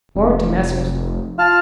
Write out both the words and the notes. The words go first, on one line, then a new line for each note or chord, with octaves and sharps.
Or to Messrs.
F1
F4 A5 F6